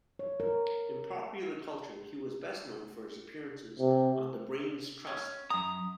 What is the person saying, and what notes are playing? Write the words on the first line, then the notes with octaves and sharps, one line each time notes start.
In popular culture he was best known for his appearances on The Brains Trust.
C#5
A#4
C3
C#4
F#2 A#5 D#6